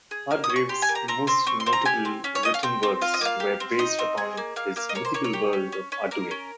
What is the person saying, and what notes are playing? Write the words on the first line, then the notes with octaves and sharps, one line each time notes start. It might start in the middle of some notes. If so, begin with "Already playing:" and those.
Hargrave's most notable written works were based upon his own mythical world of Arduin.
G#4
A#3 F6
D#6
C#4
C#6
G4 C6
G#5
A#3
A#5
C4 A#5
C4 C6
C4 C#6
C6
C4
A#5
G4 G#5
C4
C#4
C#5
C#4 D#5
F5
C4 G5
C4
F4 F5
D#5
A#3 F5
G4
C4
D#4 D#5
C4
G#4
A#3
A#3 F5
A#3 F5
D#5
A#3 C#5
C5
A#3 C#5
C#5
G4
C#4
C#4
C#4
A#3 A#4
C#4